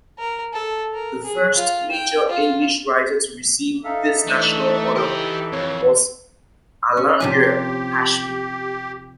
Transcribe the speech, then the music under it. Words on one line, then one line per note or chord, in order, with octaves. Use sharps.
The first major English writer to receive this national honour was Alamgir Hashmi.
A#4
A4
A#4
G#4
F4
G5
F4
D#4 A4 E5 F5
E3 A3 D4
G4 D#5 G5
F2 C#5
C#4
C3 F3 G4 G#5